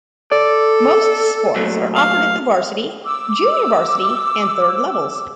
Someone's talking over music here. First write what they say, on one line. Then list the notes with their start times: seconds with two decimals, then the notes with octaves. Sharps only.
Most sports are offered at the varsity, junior varsity and thirds levels.
0.32 A4 D5
1.56 A#2 F#3 A3
1.96 F5
3.04 D6 E6